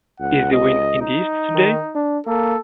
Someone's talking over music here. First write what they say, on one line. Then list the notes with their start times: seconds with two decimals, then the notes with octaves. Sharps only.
Is the wind in the east today?
0.20 C#2 F#5
0.53 D#5
1.02 D#4
1.55 D#3
1.95 D4
2.27 A#3 A4